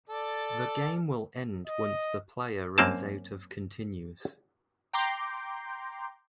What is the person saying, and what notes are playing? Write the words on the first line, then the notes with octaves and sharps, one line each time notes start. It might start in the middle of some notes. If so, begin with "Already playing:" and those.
The game will end once the player runs out of continues.
A4 D5
D#5
F#2 A#3 C4 A5
G5 A#5 C6 D6 G6